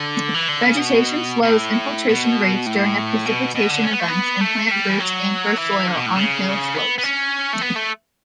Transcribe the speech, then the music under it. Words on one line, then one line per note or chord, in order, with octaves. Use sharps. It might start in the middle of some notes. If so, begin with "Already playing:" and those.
Vegetation slows infiltration rates during precipitation events and plant roots anchor soil on hillslopes.
Already playing: D3
E3
D3
C#3
B2
B2
A2
B2
A2
B2
B2
D3
C#4
B3
A3
B3
A3
G3
E3
F#3
E3
D3
B2
A2
C#3
B3
B3
C#4
A3
B3
A3